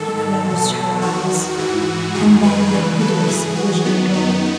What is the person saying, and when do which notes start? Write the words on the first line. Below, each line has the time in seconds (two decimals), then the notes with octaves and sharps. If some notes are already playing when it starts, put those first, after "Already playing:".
But she closed her eyes, and then the hideous vision dropped.
Already playing: G#2 D#3 A4
0.17 A4
0.45 E2 B2
1.02 E2 D#3 F#4
1.58 G#2 E3
2.15 F#2 D#3 G#4
2.43 B4
2.71 E2 C#3 E3 B4
3.00 A4
3.27 G#2 E3 G#4
3.56 F#4
3.84 F#2 D#3 B3
4.13 D#4